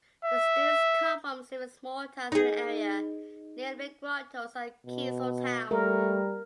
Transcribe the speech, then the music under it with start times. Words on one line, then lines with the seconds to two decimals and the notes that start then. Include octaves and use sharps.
The students come from several small towns in the area, namely Grottoes and Keezletown.
0.25 E5
2.32 D#4 G#4
4.86 B2
5.71 G3 A3 A#4